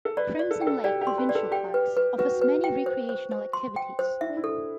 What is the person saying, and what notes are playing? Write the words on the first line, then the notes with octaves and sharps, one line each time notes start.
Crimson Lake Provincial Parks offers many recreational activities.
A4
B4 D5
D5
A4
G5
A4
G4 D5
G4
C6
B4
D5
A4
G4 G5
B4
B4
F#4 B4
B4
G5
C5
C5
C5
C6
G5
C5
E4 E5
D4
E4
A4